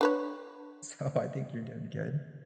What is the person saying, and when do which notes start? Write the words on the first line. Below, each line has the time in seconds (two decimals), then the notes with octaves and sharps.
so I think you're doing good,
0.01 D4 B4 C#5